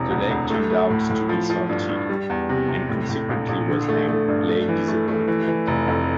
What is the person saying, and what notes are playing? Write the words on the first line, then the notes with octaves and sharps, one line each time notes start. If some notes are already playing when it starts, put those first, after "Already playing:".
The lake turned out to be salted, and consequently was named Lake Disappointment.
Already playing: E1 C3 E3
D2
D2
A3
A3
A2
A2
F3
F3
G2
G2
G3
E2
C3
C3
A2
A2
A#1
A#1
D3
A3
A3
G2
A3
E3
A3
A3
E3
E3
F1
F2